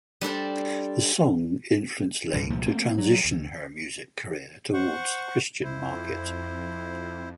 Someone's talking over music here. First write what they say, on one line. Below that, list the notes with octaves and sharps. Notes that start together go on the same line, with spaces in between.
The song influenced Lane to transition her music career towards the Christian market.
G3 D4 A4 C5
C2 G2 A#2 E3
C2 A#2 F3 A3
A3 A#3 C4
F#3
D2
C5 F#5 C#6
F2 E4 C5